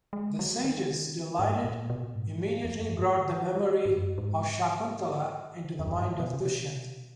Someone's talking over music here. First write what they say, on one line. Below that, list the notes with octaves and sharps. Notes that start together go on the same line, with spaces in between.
The sages, delighted, immediately brought the memory of Shakuntala into the mind of Dushyant.
G#3
F#3
D#3
G#2
A#2
B2
A#2
G#2
F2
F#2
G#2
G#2
F#2
G#2
F2
F#2
G#2
B2
C#3
B2